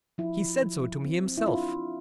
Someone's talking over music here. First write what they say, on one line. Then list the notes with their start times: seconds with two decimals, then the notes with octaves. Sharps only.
He said so to me himself.
0.18 F3 E4
0.40 F3
0.62 F3
0.83 F3
1.05 C4
1.26 C4
1.37 E4
1.47 D4 F4